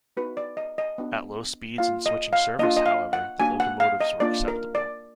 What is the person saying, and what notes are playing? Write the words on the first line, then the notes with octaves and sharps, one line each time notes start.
At low speeds in switching service, however, the locomotives were acceptable.
B3 D#4 F#4 B4
D5
D#5
D#5
B3 D4 F#4
A#3 F4 F5
D#5
F5
A#3 D4 F4 D#5
D#5
F5
F#5
A#3 D4 F#4 G#5
F#5
F5
D#5
A#3 D4 F4 D5
A#4
D5